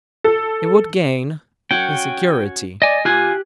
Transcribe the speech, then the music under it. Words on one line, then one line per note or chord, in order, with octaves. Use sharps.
"It would gain in security."
A4
C#4 F#4 G5
D5 D#5 G#5
F4 G4 G#5 F#6